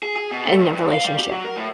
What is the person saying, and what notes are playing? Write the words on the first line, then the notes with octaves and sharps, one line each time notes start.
in the relationship?
G#4
G#4
B2
A3
G2
G2
F5
G3
G4
F#3
A#4
A2